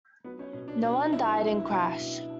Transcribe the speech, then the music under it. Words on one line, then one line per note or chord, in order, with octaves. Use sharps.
No one died in crash.
F#3 B3
C#4
B2 C#4
D4
B2 D4
F#3 E4
F#3
B2
B2